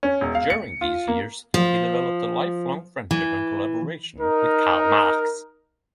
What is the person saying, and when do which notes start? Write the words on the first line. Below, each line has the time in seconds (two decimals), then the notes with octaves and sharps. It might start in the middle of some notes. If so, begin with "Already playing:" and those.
During these years, he developed a lifelong friendship and collaboration with Karl Marx.
0.03 C#4
0.21 E1
0.35 F5
0.50 C#7
0.81 F4
1.08 A#3
1.54 F3
3.11 E3
4.19 D#4 A#4